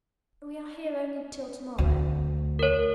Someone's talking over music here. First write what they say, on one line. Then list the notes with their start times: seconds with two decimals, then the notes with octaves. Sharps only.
We are here only till to-morrow.
1.78 D2
2.59 A#4 C#5